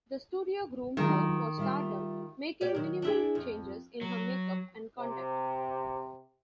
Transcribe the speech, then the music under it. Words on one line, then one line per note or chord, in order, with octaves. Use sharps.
The studio groomed her for stardom, making minimal changes in her makeup and conduct.
D#3 F#3 G#3 F4
G3 F4 E5
G4 C#5 D5
D#3 F#3
D4 E4 G#4
F2
F#3
C3